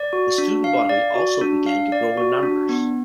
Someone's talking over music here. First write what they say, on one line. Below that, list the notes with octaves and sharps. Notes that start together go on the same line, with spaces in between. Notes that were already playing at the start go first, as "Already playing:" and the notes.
The student body also began to grow in numbers.
Already playing: D5
F#4
D4
F5
D5
F#4
D4
F5
D5
F#4
D4
B3